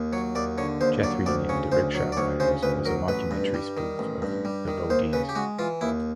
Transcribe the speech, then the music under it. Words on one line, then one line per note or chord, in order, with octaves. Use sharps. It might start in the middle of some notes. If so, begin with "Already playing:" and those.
"Jethrine and Da Rickshaw Riders" was a mockumentary spoof of the BoDeans.
Already playing: D#2
F#3 C#5
D#2 D5
D3 C#5
D#2 C5
F#3 D5
D2 D5
C#3 C#5
D2 C5
F#3 C#5
D5
D2 C#5
C#3 C5
D2 B4
F#3 A#4
A1 B4
G2
G3
D#3
A1
G2
G3
D#3
D#2 C5
C#3 B4
G4
G#3 F#4
E3 F4
D#2 E4